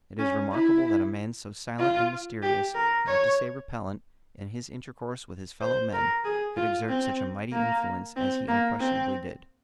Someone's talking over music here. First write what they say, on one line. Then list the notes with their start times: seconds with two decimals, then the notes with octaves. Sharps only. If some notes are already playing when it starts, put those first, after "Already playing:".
It is remarkable that a man so silent and mysterious, not to say repellent, in his intercourse with his fellow-men could exert such a mighty influence as he unquestionably did.
0.19 C#4
0.51 E4
1.79 F4
2.42 G4
2.74 A#4
3.06 C#5
5.61 C5
5.93 A#4
6.25 G#4
6.57 F4
6.89 C4
7.53 A#3
8.16 C4
8.48 A#3
8.80 C4